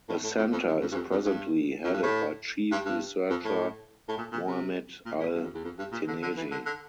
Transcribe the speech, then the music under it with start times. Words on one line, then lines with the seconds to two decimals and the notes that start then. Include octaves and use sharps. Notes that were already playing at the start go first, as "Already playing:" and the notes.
The centre is presently headed by chief researcher Mohamed Al Teneiji.
0.09 A2
0.24 A2
0.38 F2
0.52 F2
0.67 G2
0.81 F2
0.92 G2
0.96 F2
1.11 F2
1.25 G2
1.84 F2
1.94 G2
2.03 A2
2.72 G2
2.86 G2
3.30 F2
3.45 A2
4.09 A2
4.18 A#2
4.32 A#2
4.47 C3
5.06 A#2
5.20 A2
5.35 G2
5.44 F2
5.55 E2
5.64 F2
5.79 G2
5.92 A#2
6.08 D3
6.23 D3
6.37 E3
6.51 D3
6.66 D3